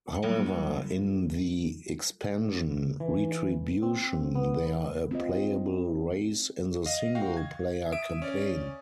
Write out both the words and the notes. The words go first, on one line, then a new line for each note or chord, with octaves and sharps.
However, in the expansion "Retribution", they are a playable race in the single-player Campaign.
F#3 G3 A#3 F4 A4 A#4
E3
C4
B3
C4 F4 D#5
D#5 F5
F#4 F5 G5
G#6
E5 D#6 D7
C#4 D5